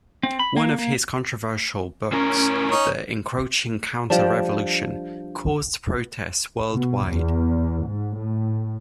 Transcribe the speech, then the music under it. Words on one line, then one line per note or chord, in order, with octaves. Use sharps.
One of his controversial books, "The Encroaching Counter Revolution", caused protests worldwide.
C4
B5
A#3
A#3
A2 C#4 A#4
C#4 D#4 C#5
F3 G3 D4
B2
E2
G#2
A2